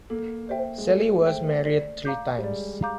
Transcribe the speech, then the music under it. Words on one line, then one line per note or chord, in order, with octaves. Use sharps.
Celi was married three times.
A#3 A4
C5 E5 G5
G#3
A3 A4
C5 E5 G5
D5
F5 A#5 D6 G6
G3
G#3 D5
F5 A#5 D6 G6